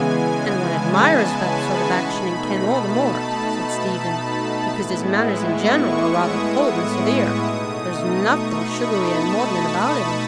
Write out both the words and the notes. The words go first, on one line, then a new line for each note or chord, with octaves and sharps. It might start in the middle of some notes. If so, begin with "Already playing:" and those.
"And one admires that sort of action in Kenn all the more," said Stephen, "because his manners in general are rather cold and severe. There's nothing sugary and maudlin about him."
Already playing: C#3 E3 G#3 B3 G#5
A5
B5
C#6
C#6
B2 A3 D#4 B5
A5
A2 G#3 B3 E4
C#6
D#6
C#6
D#6
B2 A3 D#4 D#6
C#6
B5
A5
B5